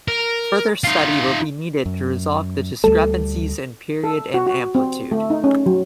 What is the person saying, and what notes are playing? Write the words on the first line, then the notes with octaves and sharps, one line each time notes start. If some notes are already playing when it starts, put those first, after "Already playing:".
Further study will be needed to resolve the discrepancies in period and amplitude.
A#4
D#4 F4
F#2
D2 G3 A3 A4
A4
F#4
F#4
C4
A3
D#4
C#4
F#3